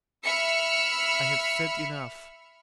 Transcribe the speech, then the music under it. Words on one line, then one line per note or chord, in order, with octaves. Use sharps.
I have said enough.
E5 B5 E6 F6 C#7